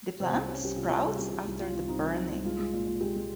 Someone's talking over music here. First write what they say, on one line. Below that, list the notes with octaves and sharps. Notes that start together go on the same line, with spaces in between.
The plant sprouts again after burning.
C3 C4
C2
G3 C#4
C2 G4
C3 F4
C2 C#5
G3 G#4
C2 G4
C3 G4
C2
G3 F4
C2
C3 D#4
C2
G3
C2
G#3 F4
G#3
A#2
A#2
G#3 G4
G#3